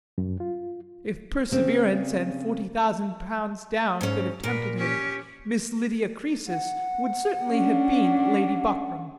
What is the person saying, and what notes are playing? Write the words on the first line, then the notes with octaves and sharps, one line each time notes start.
If perseverance and forty thousand pounds down could have tempted him, Miss Lydia Croesus would certainly have been Lady Buckram.
F#2
F4
C#3 C4
G#2 C#4
A#2 A#4 B4
C#4 G4
F#5
C#4 D4